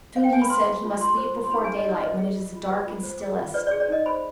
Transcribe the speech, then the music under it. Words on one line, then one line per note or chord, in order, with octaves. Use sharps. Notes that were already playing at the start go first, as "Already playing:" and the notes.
Soon he said he must leave before daylight when it is dark and stillest.
F5
G5
G#5
B5
B4 C6
G#4
F4
F4 C6
C5
F4
C6
D#4 B5
B4 G#5
D#5
D#4 D5
B4 D#5
G#4
F4
F4
B4
F4
C5
G#4
F4
B4 D5
D5
G#4
D5
D#4 D#5
C5 B5